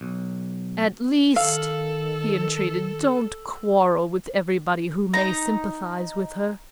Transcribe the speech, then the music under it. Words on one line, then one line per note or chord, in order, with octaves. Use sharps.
At least," he entreated, "don't quarrel with everybody who may sympathize with her.
B1
D#3 A4 F5 E6
D#4 A#5